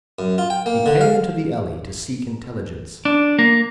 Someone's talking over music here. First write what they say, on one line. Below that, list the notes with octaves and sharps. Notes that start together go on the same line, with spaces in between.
He came into the alley to seek intelligence.
F#2
F4
G5
A#3
D3
F5
D4
A#3